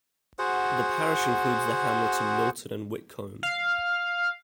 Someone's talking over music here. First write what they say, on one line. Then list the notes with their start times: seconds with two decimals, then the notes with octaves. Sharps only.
The parish includes the hamlets of Milton and Witcombe.
0.39 F#4 G#4 C5 F#5
3.43 F5